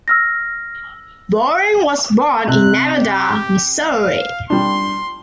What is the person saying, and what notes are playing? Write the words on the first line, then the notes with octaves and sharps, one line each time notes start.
Bowring was born in Nevada, Missouri.
E6 F6 A#6
C3 F#6
G4
F5
G3 D4 C6